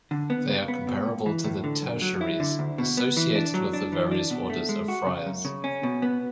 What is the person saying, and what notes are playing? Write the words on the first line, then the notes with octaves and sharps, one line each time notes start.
They are comparable to the tertiaries associated with the various Orders of friars.
D3
B3
C#3
B3
B2
C#2
E3
A2
D3
F#2
F#3
E4
D3
D2
B2
B3
E3
D4
F#3
D4
E3
D4
B2
A3
G#3
F#4
C#3
F#2
C#3
C#4
B2
B3